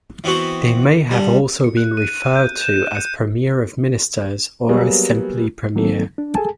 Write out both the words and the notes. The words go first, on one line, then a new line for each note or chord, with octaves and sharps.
They may have also been referred to as Premier of Ministers, or simply premier.
E3 B3 C4 F#4
D3 G3
C#7
F#6
D#7
G6
E7
C#7
F#3 G3 A#3 B3 G#4
D#3 F#3 A#3 C4 D#4 A4
D4
G#4 A4 G#5 A5